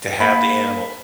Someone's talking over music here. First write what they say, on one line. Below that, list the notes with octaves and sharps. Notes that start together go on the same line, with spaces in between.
To have the animals
A#3 B5